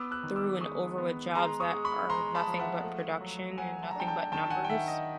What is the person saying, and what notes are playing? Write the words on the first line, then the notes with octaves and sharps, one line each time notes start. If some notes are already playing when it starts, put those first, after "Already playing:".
through and over with jobs that are nothing but production, and nothing but numbers.
Already playing: B3 D6 E6
E6 F#6
D#3
D6 E6
G#3 C#6 D#6
B3
G#3 A#5 C6
C#6 D#6
G#3
B5 C#6
G#3 A#5 C6
A5 B5
F3
E5 F#5
A3
F#3
F#3 F#5 G#5
A5
A#5
D4 G5 A5
G5 A5
D#3 G5 A5
F#5 G#5
G5
D#3 E5 F#5
D#5